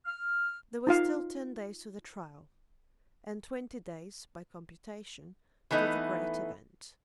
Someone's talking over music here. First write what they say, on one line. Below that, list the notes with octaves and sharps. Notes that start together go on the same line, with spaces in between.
There were still ten days to the trial, and twenty days, by computation, to the great event.
F6
D#4 F4 F5
E3 A3 B3 D#4